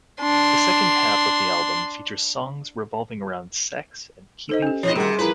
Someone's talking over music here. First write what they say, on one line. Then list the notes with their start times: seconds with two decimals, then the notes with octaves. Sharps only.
The second half of the album features songs revolving around sex and keeping faith.
0.22 D4 C6
4.49 D#4 A4 C5 D#5
4.62 C#4 G4
4.83 B2 E3 F3 C#5 D#5
4.96 C3 D#3 G3 F#4 G#4 F#5
5.19 E3 F3 A#4 B4